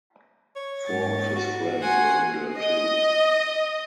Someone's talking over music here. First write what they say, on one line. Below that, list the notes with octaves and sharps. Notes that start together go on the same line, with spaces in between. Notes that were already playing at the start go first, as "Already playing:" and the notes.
Four of his friends were injured too.
C#5
G#2 A6
F#4
F#5 G#5 C6
D#5